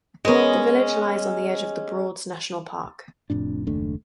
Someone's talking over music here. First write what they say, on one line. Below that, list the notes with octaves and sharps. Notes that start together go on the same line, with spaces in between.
The village lies on the edge of The Broads National Park.
G#3 B3 C#4 A#4 D#5
F1 F2 A2 D4
F#1 D#2 A3 D4